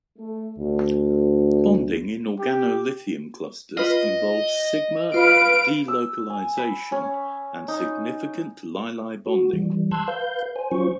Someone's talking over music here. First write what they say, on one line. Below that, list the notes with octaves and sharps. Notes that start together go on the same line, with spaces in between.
Bonding in organolithium clusters involves sigma delocalization and significant Li-Li bonding.
A3
D2
G4
F4 B4 D#5
F4 B4 F5 B5 D7
E6
G#5
B5
C#4
D#4
F#4
E3 G3
A5 C6 E6 F#6 G#6
B4 F5 G6
C5 G#5
F#3 C#4 F4 C5 C#6